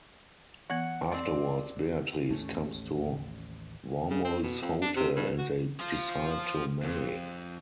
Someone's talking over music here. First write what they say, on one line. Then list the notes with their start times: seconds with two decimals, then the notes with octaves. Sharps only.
Afterwards, Beatrice comes to Wormold's hotel, and they decide to marry.
0.70 E3 B3 F#5
1.12 C4 D5
2.29 A1 D#2 A3 C#4
4.10 C#3
4.25 C4
4.43 B2
4.62 F2
4.82 D4
4.96 C3
5.16 G2
5.38 F#4
5.80 F3 F4
6.83 F2